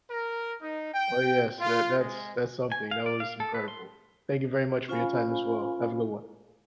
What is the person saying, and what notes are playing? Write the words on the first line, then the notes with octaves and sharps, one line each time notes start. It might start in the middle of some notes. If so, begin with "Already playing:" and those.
Oh, yes. That that's that's something, that was incredible. Thank you very much for your time as well. Have a good one.
A#4
D#4
G5
F4
G#3
G#5
F5
D5
F5
A4
B4
C6
C#4 F4 C5 F5 G#5 B5